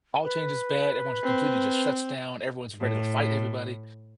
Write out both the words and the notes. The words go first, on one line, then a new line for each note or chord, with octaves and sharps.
All change is bad. Everyone just completely just shuts down. Everyone's ready to fight everybody.
B4
C4
A2